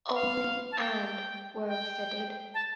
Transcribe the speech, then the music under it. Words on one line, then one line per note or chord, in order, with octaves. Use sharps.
Only and were fitted.
F5
A5
G5
G5
A5